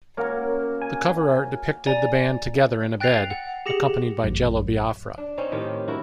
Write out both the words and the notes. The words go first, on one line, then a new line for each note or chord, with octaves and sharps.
The cover art depicted the band together in a bed, accompanied by Jello Biafra.
A#3 C#4 F#4 A#4 C#5
G#5
D5 G#5 A#5 A6
G5 F#6 A6 A#6 C7 F7
F#5
G4 G#4 A#6 C#7 F#7
A1 F#2
D4
C4 C#4 D#4
A2 D#3 G4
G2 E4 F#4 A#4